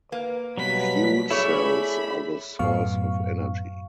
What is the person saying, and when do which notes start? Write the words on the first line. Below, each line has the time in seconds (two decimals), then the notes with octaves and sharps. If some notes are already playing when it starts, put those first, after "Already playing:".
Fuel cells are the source of energy.
0.12 A#3 B4
0.58 B2 F#3 G3 B4 B5 B6
1.30 A3 E4 G#4 C#5 D5 E5 B5
2.59 F#2 A2 F#3 B3 F5 C#6